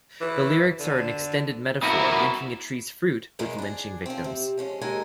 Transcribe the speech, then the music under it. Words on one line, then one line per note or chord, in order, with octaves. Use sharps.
The lyrics are an extended metaphor linking a tree's fruit with lynching victims.
E3
D3
B3 E4 F#4 A#4
E2 B2 G#3 A#3 D#4
D4 G#4
F3 C4
C3
F3 G#3 C#4
D#2 G#3 A#3 A4 D#5 G#5